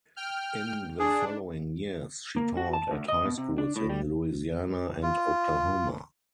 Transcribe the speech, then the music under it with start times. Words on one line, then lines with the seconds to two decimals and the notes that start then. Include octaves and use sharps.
In the following years she taught at high schools in Louisiana and Oklahoma.
0.16 G5 F6
0.99 D4 G#4
2.36 A#3
2.57 F#4
2.73 A5
2.91 D2
3.08 D#5
3.25 B2
3.38 C3
3.58 D4
3.76 A2
3.90 G3
5.03 F4